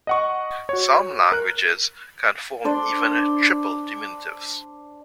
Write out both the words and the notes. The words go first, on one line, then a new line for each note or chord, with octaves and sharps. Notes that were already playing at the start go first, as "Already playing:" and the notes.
Some languages can form even triple diminutives.
D#5 F#5 C#6
F#4 C#5
A#4 F#6
D4 C5 D5